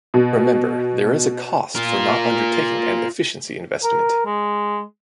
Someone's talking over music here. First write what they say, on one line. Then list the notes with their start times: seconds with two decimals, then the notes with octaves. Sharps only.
Remember there is a cost for not undertaking an efficiency investment.
0.14 B2
1.75 F4 A#4
3.84 A#4
4.26 G#3